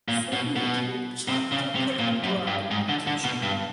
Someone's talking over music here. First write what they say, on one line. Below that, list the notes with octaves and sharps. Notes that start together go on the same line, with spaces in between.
Said meat may be chopped or put in brine on occasion.
A#2
B2
B2
C3
C#3
C3
A#2
F#2
G2
G#2
D3
D3
B2
G2